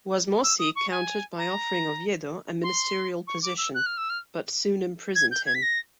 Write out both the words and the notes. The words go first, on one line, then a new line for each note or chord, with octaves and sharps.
Wasmosy countered by offering Oviedo a ministerial position, but soon imprisoned him.
E6
D#6
C#6
G#5
A#5
C6
C#6
D6
E6
F#6
F6
E6
F6
G#6
G6
G#6
B6
A#6